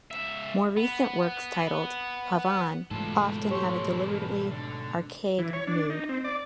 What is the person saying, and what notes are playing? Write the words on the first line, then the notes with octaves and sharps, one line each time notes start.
More recent works titled "pavane" often have a deliberately archaic mood.
C#2 E5
B3
G#2 B2 E3 G#3 A3 F4 A4
E2 G4 C#5 C6
D3
E3
C#5
D4
D#4
C4
D5